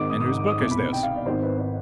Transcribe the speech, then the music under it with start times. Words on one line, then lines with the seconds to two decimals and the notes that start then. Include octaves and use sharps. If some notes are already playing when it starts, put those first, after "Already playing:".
"And whose book is this?"
Already playing: G#1 G#2 D#3 D6
0.10 D#6
0.20 D#6
0.26 D6
0.38 D6
0.48 D#6
0.60 C2 B2 D6
0.71 B5
0.93 G5
1.03 F5
1.15 D5
1.26 G#1 G#2 D#3 C5
1.43 B4
1.59 C5